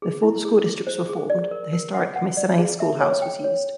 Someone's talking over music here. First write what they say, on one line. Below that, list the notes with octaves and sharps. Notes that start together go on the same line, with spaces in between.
Before the school districts were formed, the historic Mycenae Schoolhouse was used.
G#4
E4
G#4
G#4
C5
G#4
D5
A#4
A#4
F#5
F#5
D5
G#4
E5
C#5
G5
C#5